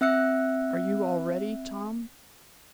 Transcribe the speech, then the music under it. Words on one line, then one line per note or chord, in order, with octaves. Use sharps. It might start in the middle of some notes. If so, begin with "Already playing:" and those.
"Are you all ready, Tom?"
C4 E5 E6 F#6 C#7